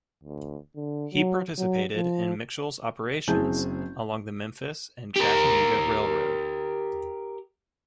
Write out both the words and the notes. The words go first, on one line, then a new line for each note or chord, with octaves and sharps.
He participated in Mitchel's operations along the Memphis and Chattanooga Railroad.
D2
D3
F#3
F#3
F3
F#1 C4 E4 G#4 A5 G6
G4 A#4